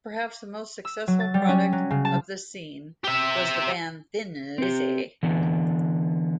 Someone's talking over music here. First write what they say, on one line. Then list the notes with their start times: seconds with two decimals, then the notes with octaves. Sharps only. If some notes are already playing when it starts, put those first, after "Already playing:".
Perhaps the most successful product of this scene was the band Thin Lizzy.
0.85 E6
1.08 F#3
1.20 A6
1.34 G3
1.49 C#4
1.73 F#3
1.91 C#3
2.05 A5
3.04 G4 E5
4.58 C4 G4
5.23 D3 E3 B3